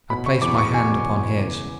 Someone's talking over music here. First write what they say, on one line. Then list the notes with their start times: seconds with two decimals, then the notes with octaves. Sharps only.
I placed my hand upon his.
0.10 B2 B5
0.26 C#6
0.42 E2 D6
0.58 C#6
0.74 B2 G#5
1.05 E2
1.38 C#3